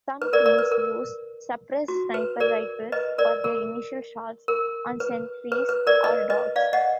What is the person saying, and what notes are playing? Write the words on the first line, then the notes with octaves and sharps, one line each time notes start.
Some teams use suppressed sniper rifles for their initial shots on sentries or dogs.
B4
A#4 D5
A#4 D5
B4
A#4
F#4
B4
A#4 D5
B4 D#5
A#4 D5
A#4
A#4
B4
B4
B4
A#4 D5
B4 D#5
B4 D#5
D5 F5
D#5 F#5